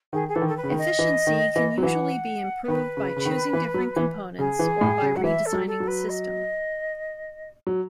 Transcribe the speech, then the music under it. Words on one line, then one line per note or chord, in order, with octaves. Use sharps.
Efficiency can usually be improved by choosing different components or by redesigning the system.
D#3 G#4
G#4
E3 A4
D#3
A4
B4
C#3
D#3
D#5
E3
D#3
E3
F#3
E3 F#5
D#3 B4
C#3
C#3
D#3
E3
F#3
E3
C#3 G#4
E3
A2
C#3
F#3 F#5
E3 E5
A4
F#3
A4
F#3
B4
D#5
F#3